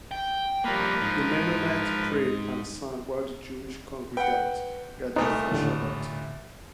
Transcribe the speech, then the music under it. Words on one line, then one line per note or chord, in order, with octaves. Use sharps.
The Mennonites prayed and sang while the Jewish congregants gathered for Shabbat.
G5
F3 G3 A#3 A#4 B4
G#2
B4 F#5 G5
C2 A#2 A3 D#4
D#2 A2 D3